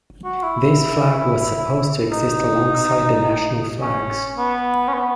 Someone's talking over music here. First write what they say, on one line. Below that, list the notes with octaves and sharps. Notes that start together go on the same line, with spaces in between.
This flag was supposed to exist alongside the national flags.
F#4
E4
D#4
C#4
B3
C#4
B3